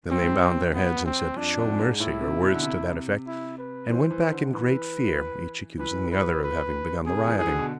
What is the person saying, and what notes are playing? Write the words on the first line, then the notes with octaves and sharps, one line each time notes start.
Then they bowed their heads and said: "Show mercy!" or words to that effect, and went back in great fear; each accusing the other of having begun the rioting.
F2 C4
G#2
F2
B3
C4
F2 D4
F2
G#2
A2 E4
C3
B2
D3
C3
E4
B4
E3 C5
E3
D3
E3 B4
E3 B4
B4
B4
C3 G#4
E3
E3 G#4
D3
B2